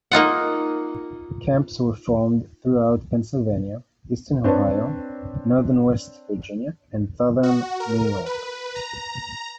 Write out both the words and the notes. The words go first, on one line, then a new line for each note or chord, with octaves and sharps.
Camps were formed throughout Pennsylvania, Eastern Ohio, Northern West Virginia and Southern New York.
A#3 D#4 F4 F#5
C4 D4 B4 C#5 A5
F#4
A#4
B4
A#5